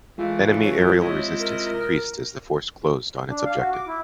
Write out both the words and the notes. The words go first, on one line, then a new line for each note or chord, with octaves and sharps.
Enemy aerial resistance increased as the force closed its objective.
E3 G#3 A3 F4
C#5
C3 E4 D#5
A#4
D4
F5
F#4
D6
E4